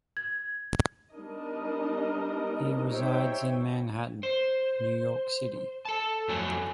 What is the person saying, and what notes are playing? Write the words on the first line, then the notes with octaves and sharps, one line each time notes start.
He resides in Manhattan, New York City.
G#6
G3 B3 D4 D#4 A#4 D#5
D#4 G4 C5 C#5 E5 G5
C5
A4 A5
F2 F#3 A3 F#4 C#5 G#5